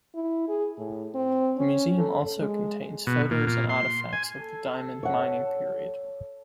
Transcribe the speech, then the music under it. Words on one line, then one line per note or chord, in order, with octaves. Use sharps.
The museum also contains photos and artifacts of the diamond mining period.
E4
G#4
A2
C4
C#4
A4
G#3
B2
A#2
A#2
C6
G#5
A4
C#5 F#5